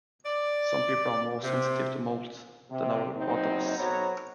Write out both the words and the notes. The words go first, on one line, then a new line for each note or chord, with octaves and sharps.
Some people are more sensitive to mold than others.
D5
C3
C3
F#1 E2 F#3 C4 D#4
B1 B2 F#3 C5 C#5 A#5